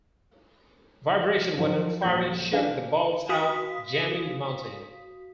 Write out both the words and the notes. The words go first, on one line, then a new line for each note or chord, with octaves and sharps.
Vibration when firing shook the balls out, jamming the mounting.
D#3 F3 F#3
D#1 F3 G6
C#4 D4 B4 F5 G#5
F#4 F5 D#6 B6